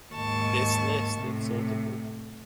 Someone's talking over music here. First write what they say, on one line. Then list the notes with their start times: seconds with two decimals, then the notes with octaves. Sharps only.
This list is sortable.
0.14 D#2 G#2 A5 C#6
1.20 A2 C3